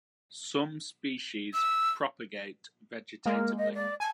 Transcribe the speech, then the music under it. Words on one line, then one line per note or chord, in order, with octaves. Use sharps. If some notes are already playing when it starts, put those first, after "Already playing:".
Some species propagate vegetatively.
E6
G#3 A#3 A#4
D#5
D5
G#5 A5